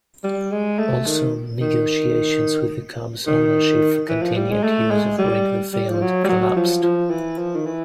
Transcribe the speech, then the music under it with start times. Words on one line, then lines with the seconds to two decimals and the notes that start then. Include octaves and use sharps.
Also, negotiations with the Cubs' ownership for continued use of Wrigley Field collapsed.
0.24 G3
0.51 G#3
0.79 A3
1.06 D#3
1.61 D#3
3.27 D#3
4.09 E3
4.23 F3
4.36 G3
4.51 G#3
4.63 A3
4.91 G#3
5.18 G3
5.73 G3
5.89 F3
6.02 F#3
6.24 G3
6.29 F#3
6.56 F3
6.83 F3
7.10 E3
7.38 F3
7.56 D#3
7.66 E3